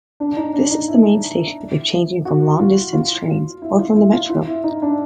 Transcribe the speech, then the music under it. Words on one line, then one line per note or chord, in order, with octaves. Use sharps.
This is the main station if changing from long-distance trains or from the metro.
D4
D#4
D4
D#4
E4
F#4
F4
F4
F4
E4
F4
E4
F4
F4
E4
D#4
D4